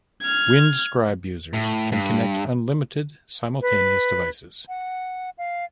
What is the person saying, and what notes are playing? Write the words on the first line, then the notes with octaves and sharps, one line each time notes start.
Windscribe users can connect unlimited simultaneous devices.
F6 G#6
A2
G2
B4
F#5
F5